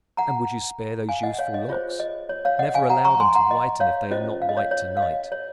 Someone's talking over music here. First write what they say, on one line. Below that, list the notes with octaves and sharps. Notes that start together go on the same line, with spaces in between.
And would you spare those youthful locks? Never allow them to whiten if they are not white to-night.
F#5 A#5
F5 G#5
D#5 F#5
C#5 F5
D#5
F4 G#4 C5 C#5
D#5
C#5
C#5 F5
D#5 F#5
F5 G#5
F#5 A#5
A#5 C#6
G#5 C6
F#5 A#5
D#5
C#5 F5
C#4 F4 C5 D#5
F5
D#5
C#5 F5
C#5
F5
D#5
C#5